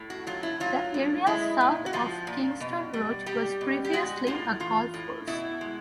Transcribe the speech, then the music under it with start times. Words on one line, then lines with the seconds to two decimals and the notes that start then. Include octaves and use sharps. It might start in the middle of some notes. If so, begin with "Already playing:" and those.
The area south of Kingston Road was previously a golf course.
Already playing: A2
0.10 F#4
0.27 F#3 F4
0.43 E4
0.60 F#3 F4
0.94 A2
1.27 G#3 E4
1.61 A#2
1.86 F#4
1.93 F3 F4
2.27 A#2
2.60 B2
2.94 G3
3.26 G3 G4
3.61 B2
3.84 G4
3.93 G#3 F#4
4.27 A2 F4
4.60 E3 F4
4.94 A2
5.27 B2 E4
5.61 G#3